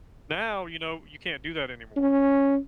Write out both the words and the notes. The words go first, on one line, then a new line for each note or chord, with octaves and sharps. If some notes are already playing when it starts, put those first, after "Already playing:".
Now, you know, you can't do that anymore.
C#4